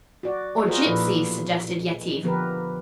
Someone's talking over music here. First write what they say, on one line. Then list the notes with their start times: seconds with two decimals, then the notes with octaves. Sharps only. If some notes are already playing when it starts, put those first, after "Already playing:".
"Or gypsies" suggested Yetive.
0.23 F#4 D5
0.65 F4 F#4 G#4 A#4 C5 D#5
0.84 A#2 F3 D4 E4 A4 B4
1.06 B2
1.73 G#3
2.23 D3 F3 B3 G4 A#4 B4